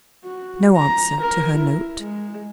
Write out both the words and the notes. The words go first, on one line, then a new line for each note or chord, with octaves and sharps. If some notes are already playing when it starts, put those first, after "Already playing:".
No answer to her note?
F#4
A#5
A#4
E4
G#3